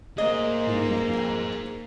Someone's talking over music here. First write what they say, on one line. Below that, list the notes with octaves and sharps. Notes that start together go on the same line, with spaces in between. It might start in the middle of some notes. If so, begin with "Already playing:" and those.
He knew it now.
A#3 G#4 C5 D#5